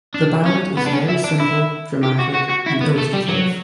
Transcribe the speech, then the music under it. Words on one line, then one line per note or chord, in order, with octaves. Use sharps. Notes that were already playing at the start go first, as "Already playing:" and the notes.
The ballad is very simple, dramatic and illustrative.
D4
C#4
B3
D4
C#4
E4
D4
E4
G4
F#4
F#4
F#4
E4
B3
A3
G3
F#3